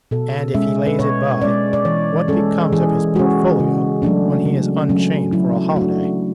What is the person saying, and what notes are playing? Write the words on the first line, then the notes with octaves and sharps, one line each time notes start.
And if he lays it by, what becomes of his portfolio when he is unchained for a holiday?
B2 A4
G#3 C#4 E5
B4
B2 C#5
G#3 C#4 D5
D5
E3 C#5
G#3 C#4 A4
E3 G#4
G#3 C#4 F#4
C#3
F#3 A3 C#4 D4
C#3
F#3 A3 C#4
F#3 E4
A3 D4 F#4